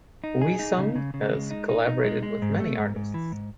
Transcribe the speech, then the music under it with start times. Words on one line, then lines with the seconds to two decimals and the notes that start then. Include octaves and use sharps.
Wheesung has collaborated with many artists.
0.24 D#4
0.42 G#4
0.59 D#4
0.78 C#3
0.96 C#3
1.14 C#3
1.32 G#3
1.51 D#4
1.69 D#4
1.86 D#4
2.05 G#3
2.23 G#3
2.42 G#2
2.60 A3
2.78 G#2
2.96 G#2
3.14 E3
3.32 G#2